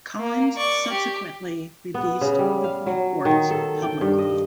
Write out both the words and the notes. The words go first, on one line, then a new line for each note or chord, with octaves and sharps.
Collins subsequently released the reports publicly.
A#3
D5 C#6
G4
B3
C#3
G3
F5
F#3
D#3
A4
G5
G2
D#5